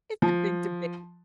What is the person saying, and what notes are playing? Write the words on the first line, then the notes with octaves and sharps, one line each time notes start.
It's a big debate.
F3